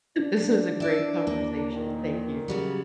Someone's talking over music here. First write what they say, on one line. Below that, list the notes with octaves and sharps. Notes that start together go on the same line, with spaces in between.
this is a great conversation. Thank you.
D4
E4 D5
D#2 A#3
A#2 D#3
C#3 F#3 G3